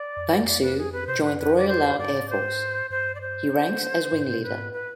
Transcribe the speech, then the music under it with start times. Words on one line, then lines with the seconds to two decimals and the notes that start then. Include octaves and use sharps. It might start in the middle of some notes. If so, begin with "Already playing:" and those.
Vang Sue joined the Royal Lao Air Force He ranks as Wing Leader.
Already playing: D5
0.17 F2
0.29 G2
0.43 F2 D5
0.62 B4
0.78 G#4
0.92 B4
1.07 C3 C5
1.15 B2
1.22 G#2 B4
1.31 G2
1.38 F2 B4
1.56 D5
1.69 C5
1.98 G2 D5
2.13 G#2
2.30 C5
2.90 G2 C5
3.15 D5
3.21 C5
4.12 G#2
4.27 G#2
4.37 B2
4.43 G#2 B4
4.73 B4